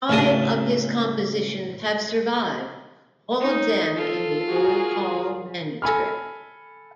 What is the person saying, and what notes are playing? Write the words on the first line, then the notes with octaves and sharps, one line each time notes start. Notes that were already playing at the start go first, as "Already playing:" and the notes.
Five of his compositions have survived, all of them in the Old Hall Manuscript.
A1 A2 C#3 A#4 A5 D#6
D#4
F4 A4
F#4 G#4 A#4
A4 G#5 B5 F6